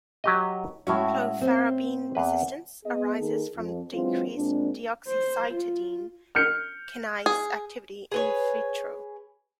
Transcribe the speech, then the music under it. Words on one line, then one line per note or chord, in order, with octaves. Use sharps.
Clofarabine-resistance arises from decreased deoxycytidine kinase activity in vitro.
F#3 G4 D#5
A2 G#3 C#4 E4 F#4
C4
E2 B4
B3 G#4 D#5
D#3 A#3 G#4 A4
F2
E3 F#3 G#3 C4 D4 F4
A#2 G#3 C4 D4
C5
F4
F6 G6 C#7
G#4
G#4 B4 C#5